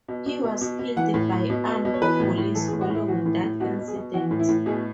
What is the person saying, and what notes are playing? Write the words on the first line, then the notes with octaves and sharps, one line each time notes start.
He was killed by armed police following that incident.
B2
B2
B2
B2
B2
E3 F#5
A2
A2
B2
B2
B2
C#5
E3 B4
A2
A2
E3 A4
G#4
A2
F#4
A2 E4
E3 F#4
A2
A2
B2 F#4
B2
G#4
B2
E3 F#4
A2
E4
A2
B2 G#4